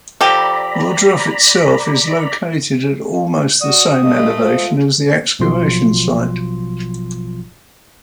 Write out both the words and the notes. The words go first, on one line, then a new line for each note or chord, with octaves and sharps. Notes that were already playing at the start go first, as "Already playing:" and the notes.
Ohrdruf itself is located at almost the same elevation as the excavation site.
F3 G4 A4 D5 A#5 B5
F#4 D5 D#6
G2 G#3 A3 D#5
F4 C5
A1 B2 F3 F#3 F4 C6